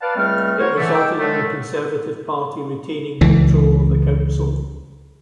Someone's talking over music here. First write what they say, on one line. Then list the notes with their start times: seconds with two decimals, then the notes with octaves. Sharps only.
It resulted in the Conservative Party retaining control of the council.
0.01 B4 D5 F5 F#5 A5
0.15 C#2 G3 A3 C4 F6
0.58 F#4 A#4 C5 C#5
0.77 D3 E3 A3
0.94 G#3 G5 D6 E6
1.19 D3 D#3 F#3 G#3 A3
3.21 C#2 E3